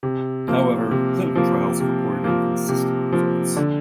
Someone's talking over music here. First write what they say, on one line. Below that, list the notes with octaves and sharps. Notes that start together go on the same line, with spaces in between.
However, clinical trials have reported inconsistent results.
C3
F3 A#3
C3
F3 A#3
C3
F3 A#3
C3
F3 A#3
D3